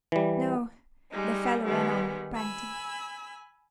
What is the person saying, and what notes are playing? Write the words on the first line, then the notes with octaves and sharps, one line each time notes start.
No! the fellow ran on, panting.
E3 G3
G3 G#3 D#4
D#3 G3 G#3 B3
G#5 B5 E6